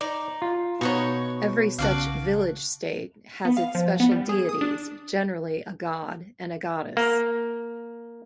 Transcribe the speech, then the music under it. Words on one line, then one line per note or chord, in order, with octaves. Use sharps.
Every such village-state has its special deities, generally a god and a goddess.
D#4 D5
F4
B2 D#4 F#4 C#5
B1 C#3 F#4 D5 F5 A5
B3
F5
F3
B3
G3
G#4
D#6
D4
A#3